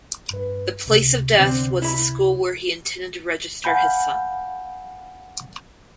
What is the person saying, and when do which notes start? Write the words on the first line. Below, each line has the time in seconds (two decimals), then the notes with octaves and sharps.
The place of death was the school where he intended to register his son.
0.30 G2 B4
0.86 C#2 C3
1.35 D3 C4
1.82 E4 B5
3.64 F5 F#5 G#5 B5 G6